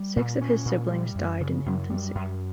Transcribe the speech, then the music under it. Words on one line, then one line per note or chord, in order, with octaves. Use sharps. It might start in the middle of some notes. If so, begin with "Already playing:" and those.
Six of his siblings died in infancy.
Already playing: G3
A#2
C#4
A#2
G3
F#2
C#3
F#2
G3
F#2